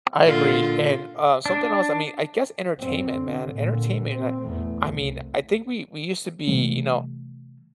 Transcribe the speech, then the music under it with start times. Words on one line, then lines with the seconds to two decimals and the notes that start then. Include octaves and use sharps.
I agree, and, uh, something else. I mean, I guess entertainment, man, entertainment, like, I mean, I think we we used to be, you know
0.24 A#2 D3 F4
1.46 D4
2.78 F#2 C4
3.09 D3
3.52 A#2 D3
4.11 C4
4.42 E2 A3
4.90 C2
6.47 C3 E3 G3 A3